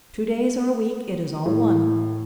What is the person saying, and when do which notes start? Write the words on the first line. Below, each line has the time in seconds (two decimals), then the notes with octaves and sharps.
Two days or a week, it is all one.
1.46 A2